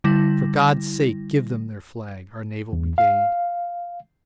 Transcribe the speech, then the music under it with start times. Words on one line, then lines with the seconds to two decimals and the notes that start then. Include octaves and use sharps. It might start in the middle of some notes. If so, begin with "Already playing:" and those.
For God's sake give them their flag, our Naval Brigade!
0.04 D3 G3 E4 A#6
2.73 E2
2.98 F5